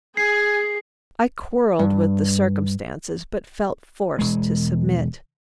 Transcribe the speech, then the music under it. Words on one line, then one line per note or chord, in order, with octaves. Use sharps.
I quarreled with the circumstances but felt forced to submit.
G#4 G#5 C7
G2
E1 G#3